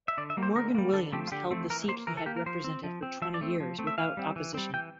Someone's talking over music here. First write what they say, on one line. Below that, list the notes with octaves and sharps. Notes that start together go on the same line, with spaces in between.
Morgan Williams held the seat he had represented for twenty years without opposition.
E5
D3 D5
E5
G3 A#3
C5
D3 A#4
G3 A#3
D3 A4
F3 A3 C4 G4
F4
D3 G4
F3 A3 C4
E3 A#4
A#3 C5
E3 A#4
A4
A#3 G4
A#4
F3 C5
C4
F3
C4
F3 E5
D5
A3 C4
F3
A3 C4
E5
E3 F5
G3 C4
E3
G3 C4
E3 G5